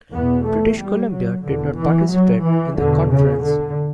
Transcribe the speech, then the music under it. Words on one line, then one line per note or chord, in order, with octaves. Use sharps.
British Columbia did not participate in the conference.
E2 B2 B3
A3
G3
F#3
E2 B2 D3
E3
F#3
E3
E2 B2 D3
C#3
D3